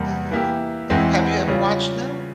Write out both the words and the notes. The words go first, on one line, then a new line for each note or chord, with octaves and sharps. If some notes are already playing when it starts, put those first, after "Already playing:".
Mhm. Mhm have you ever watched them?
Already playing: E2 C3 G3 A#3
E3 A#3 E4 G4
E2 E3 G#3 C4 E4
C#3 G3 C#4 F4